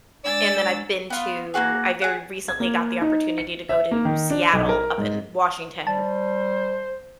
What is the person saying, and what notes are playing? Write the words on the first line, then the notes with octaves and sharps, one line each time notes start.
and then I've been to I very recently got the opportunity to go to Seattle up in Washington,
G#3 D4 D5 E6 A6
B3 F4
A#3 C4 F#4 G#4
G#4 F#5
G#6
A#3
D#4
C#7
E5
A#3
D#3
D4
B1
A#4
G#2
G3 C5 A5